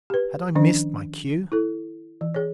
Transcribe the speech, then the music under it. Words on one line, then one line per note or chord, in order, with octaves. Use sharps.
Had I missed my cue?
G4 B4
D#3 F3 C#4 D4
E4 A4
E3
G#4 C#5